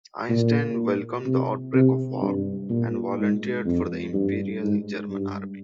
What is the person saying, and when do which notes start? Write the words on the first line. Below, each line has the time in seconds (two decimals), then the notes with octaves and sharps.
Einstein welcomed the outbreak of war and volunteered for the Imperial German Army.
0.29 A#2
1.25 C3
1.74 C3
2.22 G2
2.70 A#2
3.17 G#2
3.65 F2
4.13 G2
4.61 G#2
5.09 G2